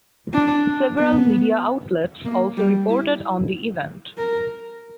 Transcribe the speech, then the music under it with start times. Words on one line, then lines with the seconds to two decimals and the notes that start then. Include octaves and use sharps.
Several media outlets also reported on the event.
0.33 D4
0.97 B3
2.25 A#3
2.57 G3
2.90 E4
4.17 A#4